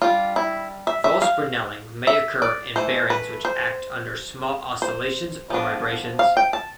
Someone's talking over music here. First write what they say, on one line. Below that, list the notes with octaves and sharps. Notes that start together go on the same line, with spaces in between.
False brinelling may occur in bearings which act under small oscillations or vibrations.
G3 D4 F4
E4
E5
E5
F5
E5
D5
E3 A3 C5
B4
C5
C5
F3 B3 D4
F5
G5
A5